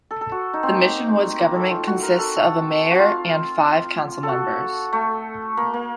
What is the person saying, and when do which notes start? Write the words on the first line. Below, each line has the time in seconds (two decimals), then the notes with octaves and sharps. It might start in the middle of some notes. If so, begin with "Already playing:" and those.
The Mission Woods government consists of a mayor and five council members.
0.11 A4
0.21 A4
0.32 F#4
0.54 D#4
0.63 C4
0.75 A#3
1.38 A#3
1.55 A4
1.71 F4
1.87 F#4
2.02 A#4
2.19 A4
2.36 A4
2.91 F#4
2.99 F4
4.23 A4
4.29 F#4
4.93 A3
5.57 A#3
5.73 A#3